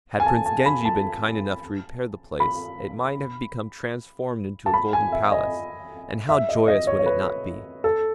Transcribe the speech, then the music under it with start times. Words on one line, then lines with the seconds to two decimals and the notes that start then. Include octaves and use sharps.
Had Prince Genji been kind enough to repair the place, it might have become transformed into a golden palace, and how joyous would it not be?
0.20 G#5
0.26 A5
0.46 A5
0.66 B5
0.85 A5
2.40 B5
4.66 A5
4.74 B5
4.93 G#5
5.12 E5
5.32 D#5
6.29 E5
6.49 D#5
6.68 D#5
6.87 C#5
6.99 C#5
7.06 B4
7.84 A4